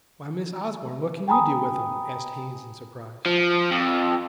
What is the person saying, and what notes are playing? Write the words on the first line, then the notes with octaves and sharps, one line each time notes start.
"Why, Miss Osborne, what can you do with them?" asked Haines, in surprise.
G5 G#5 A#5 B5 D#6
F3
F2